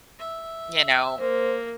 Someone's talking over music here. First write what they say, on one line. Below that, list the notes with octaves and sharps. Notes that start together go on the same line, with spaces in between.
you know,
E5
A#3 C5